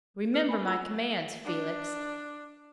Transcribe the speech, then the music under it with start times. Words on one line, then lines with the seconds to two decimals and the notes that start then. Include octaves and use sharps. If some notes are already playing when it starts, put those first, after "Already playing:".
Remember my commands, Felix.
0.34 B4 F6 C#7
0.49 A#4 G#5 B5
0.65 F4 E6
1.45 D4